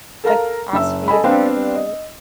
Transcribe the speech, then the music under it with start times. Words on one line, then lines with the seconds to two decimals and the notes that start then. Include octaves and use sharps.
like, asked me if I ever
0.24 A4 A#4 F5 A#5
0.73 F#1 E5 E6
1.08 A4 D#5 G#5 B5
1.24 B3 C4 D4 F5
1.75 D#5